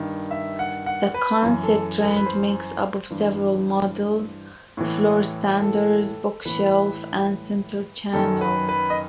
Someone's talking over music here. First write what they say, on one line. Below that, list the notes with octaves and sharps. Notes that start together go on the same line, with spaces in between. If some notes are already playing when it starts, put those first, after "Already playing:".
The Concept range makes up of several models Floorstanders, Bookshelf and Centre Channels.
Already playing: G2 D#3
E5
F#5
F#5
B4
F#2 E3
A4
A4
B4
B4
C5
G2 E3
A2 E3
A4
A2 E3 B4
F#2 D#3 A4
B4
B4
D#5